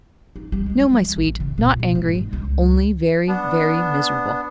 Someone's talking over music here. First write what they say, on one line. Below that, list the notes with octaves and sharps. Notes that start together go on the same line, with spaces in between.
"No, my sweet--not angry--only very, very miserable!"
D#4
G3
G#3
E3
A1
C#3
A#2
B2
G#2
D#3
C#2
B3 D4